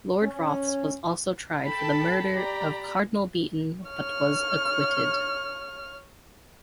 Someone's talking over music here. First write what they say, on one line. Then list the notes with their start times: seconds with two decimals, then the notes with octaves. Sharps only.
Lord Rothes was also tried for the murder of Cardinal Beaton but was acquitted.
0.22 C#4
1.65 A4 G5 A5 B5
2.34 G4 D5 A#5 B5
3.87 C#5 F6